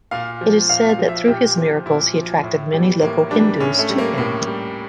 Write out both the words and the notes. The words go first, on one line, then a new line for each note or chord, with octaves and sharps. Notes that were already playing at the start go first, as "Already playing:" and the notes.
It is said that through his miracles he attracted many local Hindus to him.
A#2 F5
F3
A#2 F5
F5
F3
E5
A#2 G4
F3
A#2 E4
F3
A2
E3 G3
A2 A#3
E3 G3 D4
A2 C#4
A3
G3
A#3
A2 A#3
G3